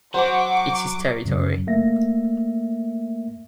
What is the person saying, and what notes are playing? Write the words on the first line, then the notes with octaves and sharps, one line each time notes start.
It's his territory.
F#3 C5 F#5 C#6 D6
F#2 C#3 F#3
A3 A#3 E5 A#6